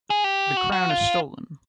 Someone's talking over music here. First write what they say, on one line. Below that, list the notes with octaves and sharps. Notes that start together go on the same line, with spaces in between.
The crown is stolen!
G#4
G4
F#4
F#4
F4